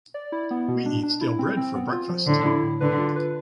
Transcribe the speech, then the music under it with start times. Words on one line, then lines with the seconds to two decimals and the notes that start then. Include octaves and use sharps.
We eat stale bread for breakfast.
0.14 D5
0.32 E4
0.51 B3
0.68 B2
0.86 D4
1.03 D4
1.21 E4
1.39 C4
1.57 C4
1.75 B3
1.92 F4
2.09 F3
2.27 A2 D3
2.45 E4
2.63 A2
2.81 D3 B4
2.99 F4
3.16 B4